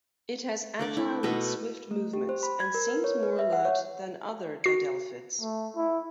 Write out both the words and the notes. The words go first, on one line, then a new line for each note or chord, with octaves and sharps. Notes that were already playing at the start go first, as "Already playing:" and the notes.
It has agile and swift movements, and seems more alert than other didelphids.
A3 D4 D5
E4
B2 A3 D#5 B5
A3
G4
C5
B5
G#6
A#4
B4
C#5
B4
E5
F#5
C#5
F#4 C7
A3
E4